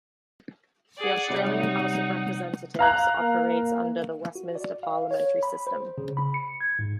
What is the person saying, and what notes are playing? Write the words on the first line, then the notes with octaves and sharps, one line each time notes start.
The Australian House of Representatives operates under the Westminster parliamentary system.
G#4 D5 F#5
C3 F#3 G3 D#4 F#5
F5 A#5 F#6
A#3
F#4
D5
F5
C#5
B5
C5
C#3
B5
C#7
G#6
G#2